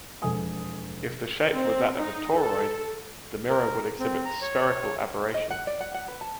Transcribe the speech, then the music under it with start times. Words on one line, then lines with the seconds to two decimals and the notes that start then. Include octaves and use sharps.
If the shape were that of a toroid, the mirror would exhibit spherical aberration.
0.22 E1 F2 A4 G#5 D#6
1.50 C4
1.97 D#4
2.39 A4
3.50 A#4
4.00 C4
4.25 A#5
4.42 C#5
5.34 D#5
5.50 F#5
5.67 D5
5.81 F#5
5.94 F#5
6.08 B4
6.21 A5